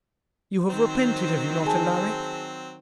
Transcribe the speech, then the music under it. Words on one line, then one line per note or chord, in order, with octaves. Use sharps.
You have repented, have you not, Alaric?'
D#3 F#3 C4 C5
G#4 G#5 A5